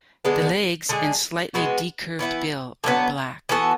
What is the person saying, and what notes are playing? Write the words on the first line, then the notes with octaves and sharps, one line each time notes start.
The legs and slightly decurved bill are black.
D3 G#3 B3 D4
D3 G#3 D4 G#4
E3 G#3 B3 F#4
E3 B3 E4
D3 F#3 B3
E3 B3 F#4 A4